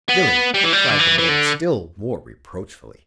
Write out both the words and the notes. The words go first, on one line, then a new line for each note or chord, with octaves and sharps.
"Billy!" cried the man, still more reproachfully.
B3
G3
E3
G3
D3
E3
E3
D3